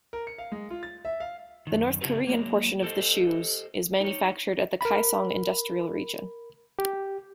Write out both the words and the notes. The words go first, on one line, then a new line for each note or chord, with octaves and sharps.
The North Korean portion of the shoes is manufactured at the Kaesong Industrial Region.
A#4
C#7
F5
G#3
F4
A6
E5
F5
F#2 D#3
C#3 D4 E4 F#4 G4 B4
F#3 G#3 A#3
G4 A4 C5 D#5
D#4 C#5
A#4 B5
G4